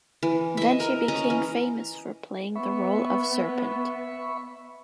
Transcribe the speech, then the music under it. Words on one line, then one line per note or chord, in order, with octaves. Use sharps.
Then she became famous for playing the role of serpent.
E3
D#5 E5
A#4
C#4 D#5 A#5
E3
B3 E5 B5 C#6